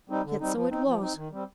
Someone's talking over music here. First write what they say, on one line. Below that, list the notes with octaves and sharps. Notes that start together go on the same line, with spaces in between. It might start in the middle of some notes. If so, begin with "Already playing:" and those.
Yet so it was.
G3 C4 D#4
D3
G3 C4 D#4
F3
C4 D#4
F3
C4 D#4
D#3
G3 C4